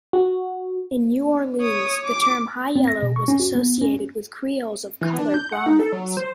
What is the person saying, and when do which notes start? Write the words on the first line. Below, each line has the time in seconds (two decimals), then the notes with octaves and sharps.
In New Orleans, the term "high-yellow" was associated with Creoles of colour "brahmins".
0.13 F#4
1.61 C#5 D#6
2.04 D6
2.76 C4
2.88 A#6
3.03 B2
3.16 C#6
3.28 C#4
3.40 F#4
3.55 B3
3.82 C#4
5.01 E3
5.19 D4
5.34 G6
5.52 F#5
5.66 D#4
5.79 A4
5.92 F#3
6.17 C5